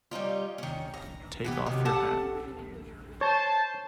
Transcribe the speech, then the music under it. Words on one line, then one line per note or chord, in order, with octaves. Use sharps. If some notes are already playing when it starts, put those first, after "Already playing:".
Take off your hat.
G3 C#4 D#4 F4
D#3 C#4
A#5
E3 B3 G4
C3 D#3 F#3
G4 A4 F#5 A5
C5 C#5 A5